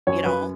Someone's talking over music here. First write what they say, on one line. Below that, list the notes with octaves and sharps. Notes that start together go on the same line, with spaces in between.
you know?
F#2 C#5
F#2 B4